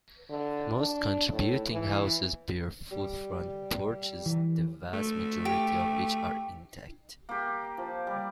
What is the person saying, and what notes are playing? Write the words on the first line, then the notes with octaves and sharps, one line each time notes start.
Most contributing houses bear full front porches, the vast majority of which are intact.
D3
D4
A2
E3
G3
E3
A3
G4
A#3 G4
F3
G3